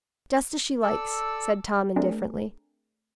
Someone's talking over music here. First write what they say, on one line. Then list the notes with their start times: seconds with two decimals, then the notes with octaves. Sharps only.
"Just as she likes," said Tom indifferently.
0.82 A4 D5 E6
1.96 A3 C4 D4 G#4 A#4